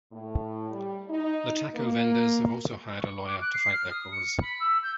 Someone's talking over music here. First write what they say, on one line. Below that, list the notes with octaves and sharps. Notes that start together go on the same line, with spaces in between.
The taco vendors have also hired a lawyer to fight their cause.
A2
G3
D#4
A#3
C#6
D6
F#6
C7
F6
D#6
C#7
B5
E6
G6